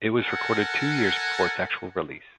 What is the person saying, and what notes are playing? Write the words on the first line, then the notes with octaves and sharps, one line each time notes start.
It was recorded two years before its actual release.
A4 A#4 F#5 G#5